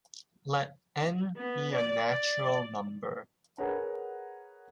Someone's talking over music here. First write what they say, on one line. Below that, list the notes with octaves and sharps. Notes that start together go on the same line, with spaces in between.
Let "n" be a natural number.
B3
D5
D5
G#4 A#4 B4 C#5 F#5 A#5